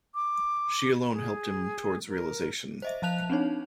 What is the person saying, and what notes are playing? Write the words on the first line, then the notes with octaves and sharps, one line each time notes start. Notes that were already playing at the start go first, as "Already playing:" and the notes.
She alone helped him towards realisation.
D6
G#4
A#4
C5 D#5 E5
F3 F5 A5 F#6 F7
C4 D4 D#4 C#5